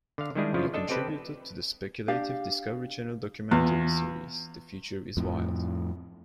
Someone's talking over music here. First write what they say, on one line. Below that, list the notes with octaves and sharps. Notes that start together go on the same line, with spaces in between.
He contributed to the speculative Discovery Channel documentary series "The Future Is Wild".
D3 F5
D#3 G3 G#3 D4 E4 G#4
C#3 F3 D4 E4 F4
D4 A4 D#5
C4 G4 A4 B4
D4 G4 F5
E2 F4
F2 A2